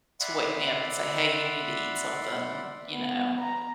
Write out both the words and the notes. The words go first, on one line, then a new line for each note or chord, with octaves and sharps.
to wake me up and say, "Hey, you need to eat something," you know.
D5 E5 F#5 B5 C6
B3
A#5